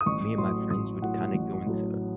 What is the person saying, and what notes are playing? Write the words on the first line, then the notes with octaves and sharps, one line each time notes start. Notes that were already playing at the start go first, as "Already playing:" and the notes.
me and my friends would kind of go into
D#6
A1 C#6
A2 F#3 C6
A1 D#6
A2 F#3 F#5
A1
A2 F#3